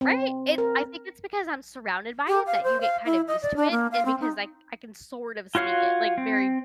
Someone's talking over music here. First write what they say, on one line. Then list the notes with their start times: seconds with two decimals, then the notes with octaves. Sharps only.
Right? It I think it's because I'm surrounded by it that you get kind of used to it, and because, like, I can sort of speak it, like, very,
0.01 C4
0.58 A#4
2.28 G4
2.47 F5
2.63 C5
2.81 F5
3.06 E4
3.28 D#5
3.42 D5
3.56 D4
3.71 A#3
3.92 F5
4.05 C4
4.21 D#4
5.55 F4 F#4 C#5 F5 F6
6.18 C4